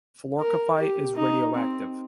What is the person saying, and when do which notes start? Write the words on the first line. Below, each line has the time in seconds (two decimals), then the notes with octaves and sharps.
Fluorcaphite is radioactive.
0.40 A#4
0.78 G4
1.16 D#4
1.55 C4